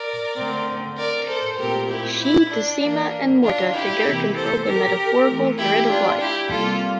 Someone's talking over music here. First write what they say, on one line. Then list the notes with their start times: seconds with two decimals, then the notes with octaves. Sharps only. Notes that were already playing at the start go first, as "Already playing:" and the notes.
She, Decima and Morta together controlled the metaphorical thread of life.
Already playing: A#4 D5
0.36 D3 A3 C4
0.97 A#4 D5
1.28 A4 C5
1.59 A#2 A3 C4 G4 A#4
1.90 E4 G4
2.20 E4
2.51 D4
2.82 E3 A#3
3.43 D4 F4
3.74 E4 G4
4.05 C3 E3 A#3
4.35 A4 C5
4.66 G4 A#4
5.28 E3 A3 C4
5.58 E4 G4
5.89 D4 F4
6.20 E4 G4
6.50 C3 G3 A#3 F4 A4